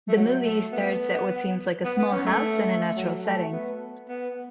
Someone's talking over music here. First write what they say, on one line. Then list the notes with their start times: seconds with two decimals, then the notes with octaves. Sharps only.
The movie starts at what seems like a small house in a natural setting.
0.08 A3
0.16 F#3
0.44 A3
0.72 B3
1.85 B3
1.98 B3
2.12 C#4
2.26 A3
2.96 F#3
3.24 A3
3.52 B3
4.08 B3